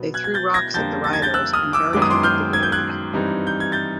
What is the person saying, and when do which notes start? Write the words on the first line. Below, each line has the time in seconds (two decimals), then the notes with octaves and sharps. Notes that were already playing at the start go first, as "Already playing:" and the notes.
They threw rocks at the riders, and barricaded the road.
Already playing: B2 F#3 B3
0.14 F#6 G#6
0.24 G#6
0.34 G6 A6
0.54 G#6 A#6
0.74 F2 D3 G3 A#3 G6 A6
1.04 A6
1.13 G#6
1.22 G6 A6
1.34 E6 F#6
1.53 D#6 F6
1.73 D6 E6
1.93 F#2 D#3 G#3 B3 D6
2.02 D#6
2.10 C6 D6
2.23 F6 G6
2.53 G#6
2.63 G6
2.72 F#6 G#6
3.13 G2 E3 G3 C4 D#4
3.47 G6
3.60 G#6
3.72 G6 A6